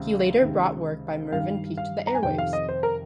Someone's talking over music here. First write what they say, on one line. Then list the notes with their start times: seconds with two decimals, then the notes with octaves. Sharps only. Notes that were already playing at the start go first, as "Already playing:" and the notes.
He later brought work by Mervyn Peake to the airwaves.
Already playing: C#2 C3 D#3
0.42 C#2 C3 D#3
1.32 G2 D#3 F5
1.78 F5
2.07 A#5
2.15 G#5
2.23 F2 C3 D#3 G5
2.38 F5
2.53 D#5
2.69 C5
2.83 A#4